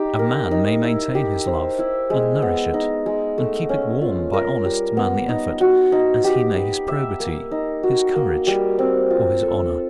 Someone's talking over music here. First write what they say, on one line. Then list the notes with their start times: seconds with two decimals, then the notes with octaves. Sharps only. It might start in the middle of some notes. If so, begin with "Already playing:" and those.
A man may maintain his love, and nourish it, and keep it warm by honest, manly effort, as he may his probity, his courage, or his honor.
Already playing: D#4 G4
0.19 A#4
0.51 D#4
0.83 E4
1.15 G4
1.47 C5
1.79 E4
2.10 G#3
2.42 B3
2.74 D#4
3.06 G#3
3.38 A3
3.69 C#4
4.01 F4
4.33 A#4
4.65 G3
4.97 B3
5.29 D#4
5.61 F#4
5.92 D#4
6.24 G4
6.56 B4
6.88 E5
7.20 A#3
7.51 D#4
7.83 F#4
8.16 A#3
8.47 G3
8.79 C4
9.10 F4
9.43 A4